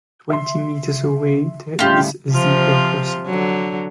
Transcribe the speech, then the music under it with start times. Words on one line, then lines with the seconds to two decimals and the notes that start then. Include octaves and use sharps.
Twenty meters away there is a zebra crossing.
0.30 E5 C6
1.79 A2 C#3 G3 F4 G4
2.29 C3 F3 F4
3.26 D3 F#3